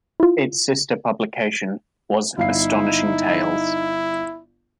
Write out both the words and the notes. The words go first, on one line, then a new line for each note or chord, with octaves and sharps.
Its sister publication was "Astonishing Tales".
E4 F4
G1 D#4 E4 F5 C7